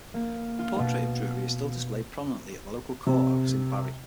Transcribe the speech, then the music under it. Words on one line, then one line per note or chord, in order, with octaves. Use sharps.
A portrait of Drury is still displayed prominently at the local courthouse in Barrie.
A#3
F4
B2
C3